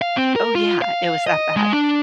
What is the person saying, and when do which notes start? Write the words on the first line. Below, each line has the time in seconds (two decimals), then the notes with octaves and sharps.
Oh, yeah. It was that bad.
0.02 F5
0.17 C4
0.36 A#4
0.55 F4
0.82 F5
1.27 D#5
1.56 G#3
1.73 D4